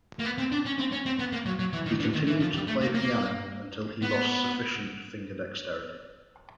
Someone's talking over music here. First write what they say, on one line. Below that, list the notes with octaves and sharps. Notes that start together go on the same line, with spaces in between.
He continued to play piano until he lost sufficient finger dexterity.
A#3
B3
C4
D4
C#4
C4
C#4
C4
B3
A#3
F#3
F#3
E3
D#3
D3
D#3
E3
F3
G3
A3
A#3
A#3
B3